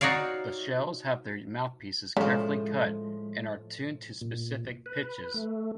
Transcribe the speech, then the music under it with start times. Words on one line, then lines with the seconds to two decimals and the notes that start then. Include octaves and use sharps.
The shells have their mouthpieces carefully cut and are tuned to specific pitches.
0.01 D#4 F#4 C#5 D5 F5
2.17 A2 C#3 F3 G#3
4.21 A#2
4.86 B4
5.34 A3